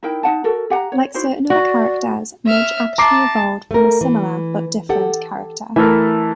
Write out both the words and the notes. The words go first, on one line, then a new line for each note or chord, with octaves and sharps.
Like certain other characters, Midge actually evolved from a similar but different character.
D#4 E4 A#4 G5
D#4 F#5 A5
F#4 A4 A#4
G4 F#5 G5 A#5
C#5
D#4 E4 F#4 C5
F#4 D5
E5 F6
A5 A#5 D6 C7
A3 A#4
E3
G4 A4 F#5
E3 A3 A#4 E5